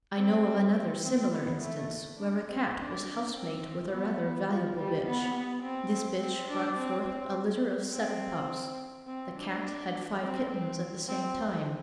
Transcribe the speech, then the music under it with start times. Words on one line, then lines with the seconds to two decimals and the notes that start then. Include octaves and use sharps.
I know of another similar instance, where a cat was house-mate with a rather valuable bitch; this bitch brought forth a litter of seven pups. The cat had five kittens at the same time.
0.17 C4
1.04 C4
1.32 B3
1.61 A3
2.18 D4
2.48 C4
2.76 D4
3.33 C4
3.90 B3
4.48 F3
4.77 G3
5.06 B3
5.34 B3
5.62 C4
6.20 C4
6.49 D4
6.77 C4
7.06 C4
7.91 C4
9.07 C4
9.35 D4
10.22 C4
10.50 C4
11.08 C4